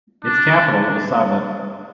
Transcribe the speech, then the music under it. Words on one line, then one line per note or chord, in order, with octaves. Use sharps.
Its capital is Sibut.
D4